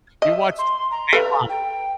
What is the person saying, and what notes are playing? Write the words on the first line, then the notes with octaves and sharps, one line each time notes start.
you watched Dateline.
D#5 E5
C6
A#5
A4 B4 F5
G5